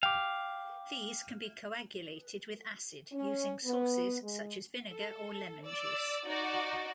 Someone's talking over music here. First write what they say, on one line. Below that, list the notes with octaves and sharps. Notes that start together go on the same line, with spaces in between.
These can be coagulated with acid using sources such as vinegar or lemon juice.
F5 G5 D6
C#4
B3
G#3
A4
D5 E6
D#4 F#4 D5 D#5